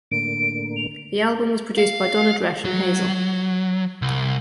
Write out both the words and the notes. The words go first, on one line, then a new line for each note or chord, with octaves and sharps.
The album was produced by Donna Dresch and Hazel.
A2 D3 A#3 D7
F7
F5
F#3
C2